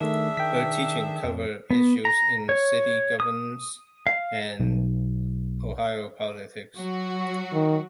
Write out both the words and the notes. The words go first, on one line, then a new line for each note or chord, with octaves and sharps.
Her teaching covered issues in city governance and Ohio politics.
D#3 A3 D4 G#4 E5
D#3 G5 B6
F2
B3
A#5
C#5
D#6
F5
B1
F#3 F#4
D#3